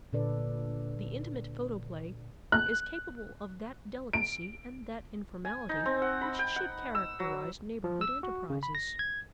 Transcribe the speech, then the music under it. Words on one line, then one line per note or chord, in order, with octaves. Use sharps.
The Intimate Photoplay is capable of that delicacy and that informality which should characterize neighborhood enterprises.
A#2 D3 D4 A4 B4 D5
F#6
D7
G#5
D#4
C4
F#5
B5
G5
F#5
E6
F#3
F3
E6
F#4
C#3
B5
A#6
G#6